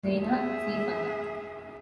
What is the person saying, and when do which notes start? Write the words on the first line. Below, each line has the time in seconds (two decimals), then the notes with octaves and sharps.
Jaina C. Sanga.
0.21 G#4 E5